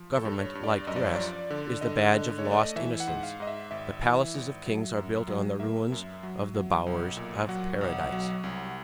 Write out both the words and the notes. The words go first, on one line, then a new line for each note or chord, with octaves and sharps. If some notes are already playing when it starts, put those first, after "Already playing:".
Government, like dress, is the badge of lost innocence; the palaces of kings are built on the ruins of the bowers of paradise.
Already playing: F3
A4
G2
C#5
G2
D5
F#2 D#5
D5
C#5
F3 D5
D3
D3 D#5
D3
C#5
A3
D5
D#5
E3 E5
F#5
G#2
F5
G#2 D#5
E5
G#1 E5
E3
G#1
F#3
F#2
F#3
A#3 E5
F#2
F#3
F#3
B1
A#2
F#3 F#5
B1
F#3
C2